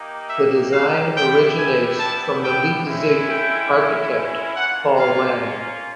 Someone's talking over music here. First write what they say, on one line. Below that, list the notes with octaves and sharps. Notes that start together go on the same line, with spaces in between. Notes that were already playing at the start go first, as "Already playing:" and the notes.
The design originates from the Leipzig architect Paul Lange.
Already playing: A#3 D#4 G4
E5
F5
G3 B3 E4 G4 G5
G#5
A5
G5
G#3 C#4 E4
G5
A#3 C#4 F4 F#5
F5